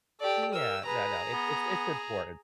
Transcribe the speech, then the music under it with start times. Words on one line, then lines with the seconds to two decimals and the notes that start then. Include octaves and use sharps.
Yeah, no, no, it's it's it's important.
0.21 G4 A4 D5
0.53 A#4 E6
0.86 G#4 B4 A#5
1.32 B3